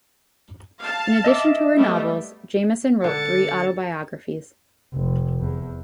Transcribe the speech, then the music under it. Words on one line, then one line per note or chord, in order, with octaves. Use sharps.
In addition to her novels, Jameson wrote three autobiographies.
F5 A5
D#5 E5 D6
G3 A3 B3
D3 D4 A6 C#7
F1
E2